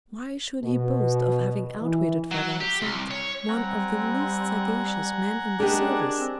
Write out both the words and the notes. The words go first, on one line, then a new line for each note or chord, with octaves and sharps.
Why should he boast of having outwitted Father Absinthe, one of the least sagacious men in the service?
B2
E3
F#3
G4
C2
C#5
G3 C4 F#5 G#5 A#5
G#3 D4 G4 G#4 A#4
C4